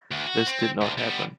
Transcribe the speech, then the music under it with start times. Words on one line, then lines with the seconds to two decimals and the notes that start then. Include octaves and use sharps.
This did not happen.
0.11 D2
0.26 F#4
0.46 C4
0.81 D2
0.98 G3 B3